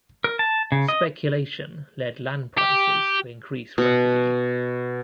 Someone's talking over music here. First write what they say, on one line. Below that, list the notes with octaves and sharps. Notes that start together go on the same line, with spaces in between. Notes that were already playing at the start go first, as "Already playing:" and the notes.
Speculation led land prices to increase rapidly.
A#4
A5
C#3
D#5
G4
B2 F#5